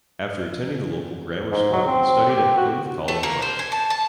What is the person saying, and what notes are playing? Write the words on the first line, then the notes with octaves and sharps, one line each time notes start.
After attending the local grammar school he studied at Plymouth College of Art.
G#2
F#3
C4
G4
F#4
A3
A#3
C5
G#5
A5
A5